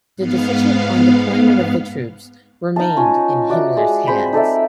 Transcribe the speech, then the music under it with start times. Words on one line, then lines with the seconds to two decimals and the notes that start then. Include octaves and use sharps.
The decision on deployment of the troops remained in Himmler's hands.
0.17 G#2 B3 F5
2.76 D#4 D#5 F5 A5
2.97 C#4 F4 C#5
3.49 F#4 A#4 D5 E5
3.77 G#3
4.07 G#3 C4 C5 B5
4.33 D#4 A4 D5 E5